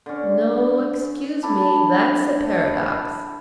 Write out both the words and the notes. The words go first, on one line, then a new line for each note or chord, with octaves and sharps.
"No, excuse me, that's a paradox."
D3 C#4
D4 E4 A4